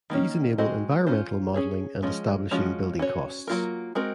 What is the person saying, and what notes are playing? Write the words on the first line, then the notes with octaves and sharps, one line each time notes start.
These enable environmental modelling and establishing building costs.
D#3 A#3 C#4
G#3 C4 F#4 C5 D#5
C#4 F4 C5
C#4 G#4 C#5
F3 G#3 C#4
F3 G#3 C#4 F#4
C#4 F#4 C#5
F#3 A#3 F4 A#4
G#3 C4 F#4 A#4